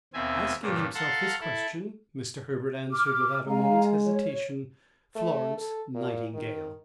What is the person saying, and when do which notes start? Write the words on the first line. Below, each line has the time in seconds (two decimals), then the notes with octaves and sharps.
Asking himself this question, Mr. Herbert answered without a moment's hesitation: "Florence Nightingale!"
0.14 D#2 B2 C4 E5 G#5
0.62 G2 A#2 C#3
0.94 A4 F5 F#5 A5 A#5 C6
1.41 E4 A4
2.92 D6 F6
3.48 G#3 F5 G#5 A#5
4.05 C#5
5.15 A3
5.58 A4
5.95 A#2
6.34 D#3